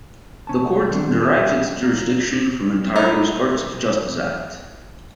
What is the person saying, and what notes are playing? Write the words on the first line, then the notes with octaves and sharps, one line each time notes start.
The court derives its jurisdiction from Ontario's "Courts of Justice Act".
C3 C#4 A5
D#3 G3 C4 D4
A4 B4 E5
A#3
D#4 E4